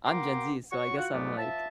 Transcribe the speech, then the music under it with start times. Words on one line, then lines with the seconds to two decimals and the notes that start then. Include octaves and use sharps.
I'm Gen Z so, I guess I'm like,
0.06 A#3 F#4 G5 A#5 C6 D6
0.72 F#4 C#5 F#5 C#6
0.97 F4 F#4 F#5
1.13 F2 G#2 F#3 A3 B3 D5
1.38 F3 E5 A5